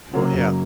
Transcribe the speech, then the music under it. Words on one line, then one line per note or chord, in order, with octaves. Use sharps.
Well, yeah.
C#3 F#3 A#3
F#2